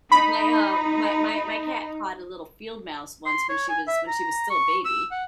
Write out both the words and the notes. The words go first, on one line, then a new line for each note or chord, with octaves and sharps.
my, um, my my my cat caught a little field mouse once when she was when she was still a baby,
D#4 B5
C6
C#5
G#5
E5
A#5
C#6
E6
F#5